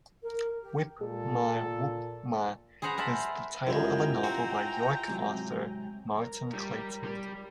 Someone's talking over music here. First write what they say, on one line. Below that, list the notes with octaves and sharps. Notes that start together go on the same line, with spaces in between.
"Whip-Ma-Whop-Ma" is the title of a novel by York author Martyn Clayton.
A#4
G4
A#2 G#3 A4
G#4 B4 C5 F#5 A#5
A#4 C5 E5 A5 B5
F#2 G#3 E4 F4 G4 G5 G#5 A#5
C4 F#4
G#2 C3 F#3
A#4
G3
G3